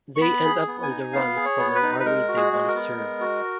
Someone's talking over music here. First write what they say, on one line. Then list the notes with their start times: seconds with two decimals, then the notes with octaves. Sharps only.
They end up on the run from an army they once served.
0.16 C#6
0.21 B3 B5
0.45 G#4
0.68 B3
0.83 G#5
0.90 D#4
1.13 B3 F5
1.36 G#4
1.45 C#5
1.59 B3
1.75 B4
1.83 D#4
2.00 B4
2.05 G#3 A#4
2.28 F#4
2.36 G#4
2.53 G#3
2.68 A#4
2.75 B3
2.98 G#3
3.21 F#4